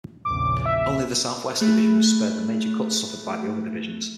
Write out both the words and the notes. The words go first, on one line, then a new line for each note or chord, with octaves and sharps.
Only the Southwest division was spared the major cuts suffered by the other divisions.
A#1 E2 C#3 D6
E5
A3 G#4 B5 F#6